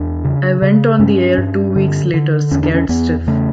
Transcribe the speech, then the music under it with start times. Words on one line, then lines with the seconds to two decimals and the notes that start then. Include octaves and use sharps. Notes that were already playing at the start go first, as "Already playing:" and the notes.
I went on the air two weeks later, scared stiff.
Already playing: E2 D4
0.24 C#3
0.62 C#3
0.99 G2 C#4
1.38 G2
1.76 D3
2.14 D3
2.51 E2 C#4
2.63 D4
2.74 C#4
2.89 E2 B3
3.27 C#3 A3